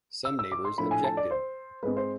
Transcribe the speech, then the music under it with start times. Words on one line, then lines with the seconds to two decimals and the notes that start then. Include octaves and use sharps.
Some neighbors objected.
0.25 E6
0.39 E6
0.52 D6
0.65 C6
0.78 A2 F3 A3 D4 B5
0.91 G#5
1.04 A5
1.17 D5
1.31 C5
1.83 G#2 G#3 C4 B4
1.97 C5